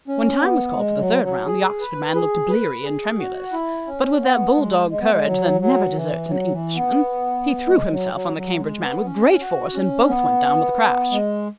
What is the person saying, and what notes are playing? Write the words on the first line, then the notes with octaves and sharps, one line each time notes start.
When time was called for the third round, the Oxford man looked bleary and tremulous, but with that bull-dog courage that never deserts an Englishman, he threw himself on the Cambridge man with great force and both went down with a crash.
C#4
B3
G#3
F#3
F#3
G#4
B4
G#4
B4
G#4
F#4
E4
C#4
B3
G#3
G#3
B3
G#3
F#3
F#3
E3
F#3
E3
B3
G#3
F#3
F#3
F#3
G#3
B3
C#4
F#4
C#4
B3
G#3